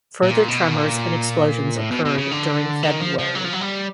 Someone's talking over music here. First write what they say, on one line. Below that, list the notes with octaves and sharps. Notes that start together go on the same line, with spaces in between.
Further tremors and explosions occurred during February.
A#2
B2
A#2
A2
B2
B2
C#3
D3
D#3
F3
F3
F#3
F3
F#3
G3